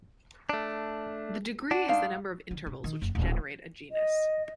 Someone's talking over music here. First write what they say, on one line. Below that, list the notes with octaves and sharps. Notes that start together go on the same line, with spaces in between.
The "degree" is the number of intervals which generate a genus.
A3 D4
D4 F#4
G#2 D#4 F5
D3
C3
D#3
F1
D1
D#5